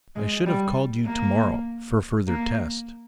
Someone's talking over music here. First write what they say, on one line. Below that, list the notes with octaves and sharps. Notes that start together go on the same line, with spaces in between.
I should have called you to-morrow, for further test.
G#3
G3
A#3
A#3